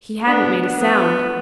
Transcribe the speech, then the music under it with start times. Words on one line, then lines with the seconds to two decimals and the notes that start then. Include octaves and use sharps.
He hadn't made a sound.
0.24 B3 D4
0.79 B3